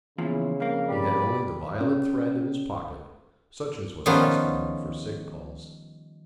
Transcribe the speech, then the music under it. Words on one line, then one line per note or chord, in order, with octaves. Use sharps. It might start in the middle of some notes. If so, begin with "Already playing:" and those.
He had only the violet thread in his pocket, such as was customary for sick calls.
E2 A#2 C#3 F3 E4
F2 A#3 F5
G4 B4 D5 B5
C#4
D#3 F3 G3 B3 C#4 F4